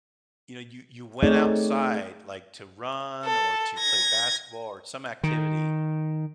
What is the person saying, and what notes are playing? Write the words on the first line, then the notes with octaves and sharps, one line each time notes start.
you know, you you went outside, like, to run or to play basketball or some activity,
A3 C4 D#4 G#4 C#5 D5
A4
G#6 A#6
D#3